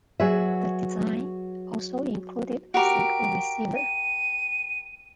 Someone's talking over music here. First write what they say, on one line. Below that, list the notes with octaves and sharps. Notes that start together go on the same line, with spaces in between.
The design also included a single receiver.
F#3 F#4 G#4 B4 E5
F#4 G4 A#4 D7
D#7